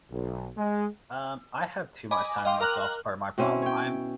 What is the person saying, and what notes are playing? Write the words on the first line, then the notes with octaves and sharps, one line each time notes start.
Um, I have too much time to myself is part of my problem, I'm
B1
G#3
D#5 G#5 B5 D6
D#5 F5 G5 C6 D6
A#4 A#5 F6 F#6 F#7
B2 C4 C#4 E4
C#5 G5